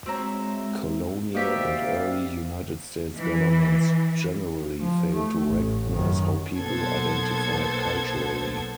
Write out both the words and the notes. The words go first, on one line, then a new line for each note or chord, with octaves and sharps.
Colonial and early United States governments generally failed to recognize how people identified culturally.
G#3 C4 F#4 C5 C#5 E5 A#5
A#3 D#4 F#4 G4 C5 D5 E5 F5
E3
F3
A3
A1
F#2 D#3
B1 A#3 B3 A4 C5 G#6